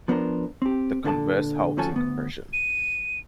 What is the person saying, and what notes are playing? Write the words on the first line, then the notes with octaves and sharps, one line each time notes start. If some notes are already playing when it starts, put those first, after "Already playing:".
The converse holds in compression.
F3 B3 D4 A#4 C5
C4 G4
A#2 D3 A4 E5 A5
D2 F3 C#4 F#4 A4 G#5
D2 B3
D#7